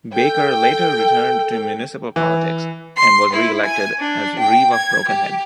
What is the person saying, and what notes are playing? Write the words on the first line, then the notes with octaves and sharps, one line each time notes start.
Baker later returned to municipal politics, and was re-elected as reeve of Brokenhead.
A4 G5
E3
C6
E4
G#5
D4
G5
G#6
G4